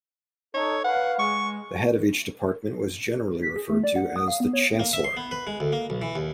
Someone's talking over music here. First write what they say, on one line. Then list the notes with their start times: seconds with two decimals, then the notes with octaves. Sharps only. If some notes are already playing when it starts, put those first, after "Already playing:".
The head of each department was generally referred to as the "chancellor".
0.54 D#4 A4 C#5
0.84 B4 F5 F#5
1.19 G#3 C#6
3.42 B6
3.56 G#4
3.70 A3
3.84 D5
3.96 F#5
4.16 D#6
4.28 F5
4.40 B3
4.53 C#5
4.79 A#3
4.93 E5
5.04 C6
5.17 B3
5.31 B4
5.47 G#3
5.60 D2
5.73 A#3
5.90 B1
6.02 E3
6.16 D#2